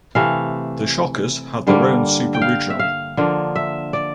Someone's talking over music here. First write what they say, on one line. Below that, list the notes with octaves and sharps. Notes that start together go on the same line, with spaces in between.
The Shockers had their own Super Regional.
C3 E3 A3 F5
G2 D3 G3 A#3
G5
F5
E5
F5
D3 F3 A#3
E5
D5